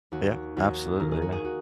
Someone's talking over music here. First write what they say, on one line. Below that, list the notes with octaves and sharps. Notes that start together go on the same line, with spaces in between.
Yeah. Absolutely. Yeah.
D#2 F#4
D#2 F#4
D#3 A#4
G#4
F#4
G#4
F#4